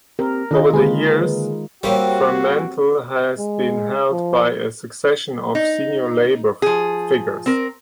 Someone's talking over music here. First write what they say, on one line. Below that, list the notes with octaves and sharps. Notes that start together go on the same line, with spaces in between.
Over the years, Fremantle has been held by a succession of senior Labor figures.
C4 G4 A#4
D#3 D4 F4 G#4 A4 D#5
D3 G#3 A#3 G#4 B4
G3 A#3 C4 F#4 G4 C#5
G#3
F3
D#4
F3 G#4
C4 A#4